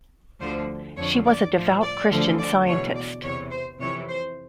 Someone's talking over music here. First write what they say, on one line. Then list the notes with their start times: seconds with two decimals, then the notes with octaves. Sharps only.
She was a devout Christian Scientist.
0.41 D2 D3 F3 C5
0.97 F2 D3 F3 C#5
1.26 D5
1.54 A2 F3
1.82 D5
2.10 D2 D3 F3
2.39 D5
2.67 E2 B2 C#5
2.96 D5
3.23 E2 C3 E3 C#5
3.51 C5
3.80 F2 C3 E3 C#5
4.09 C5